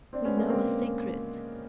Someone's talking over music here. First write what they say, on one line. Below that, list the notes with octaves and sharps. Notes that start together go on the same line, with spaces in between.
"We know a secret!"
C4 D4
B3 C#4
G#3 A#3
A#3 C4